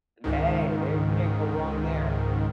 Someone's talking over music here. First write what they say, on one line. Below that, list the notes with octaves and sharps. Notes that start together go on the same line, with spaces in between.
Hey. There you can't go wrong there.
C#2 G#2 D#3